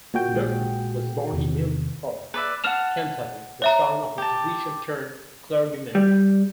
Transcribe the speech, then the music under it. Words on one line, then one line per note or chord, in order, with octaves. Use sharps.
Lurton was born in Newport, Kentucky, the son of a physician turned clergyman.
A#2 F#4 G5
A#1 G#3 G#4
E2 C3 D#3
B4 D5 E5
F#5 A5 F6 E7 F7
C#5 E5 A#5
G4 A5
G3